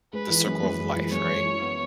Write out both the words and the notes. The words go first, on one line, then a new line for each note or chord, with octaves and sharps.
the circle of life, right?
G#3 B4
E3
F#2
F#2
G#3
E3
F#2 C#5
F#2
E4
B3